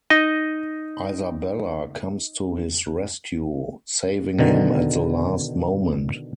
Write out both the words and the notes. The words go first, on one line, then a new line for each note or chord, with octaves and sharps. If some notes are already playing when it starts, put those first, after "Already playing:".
Isabella comes to his rescue, saving him at the last moment.
D#4 D#5
B2 D3 D#3